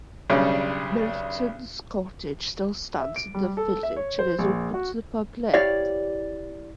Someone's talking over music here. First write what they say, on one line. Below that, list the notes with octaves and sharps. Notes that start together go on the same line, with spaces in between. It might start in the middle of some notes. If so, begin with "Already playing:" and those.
Milton's Cottage still stands in the village, and is open to the public.
B1 C#3 G3 C#4 D4
E5
D7
G3
A4
E5
C#5
C5
A#1
F#4
E4 G4 C#5 D5 F5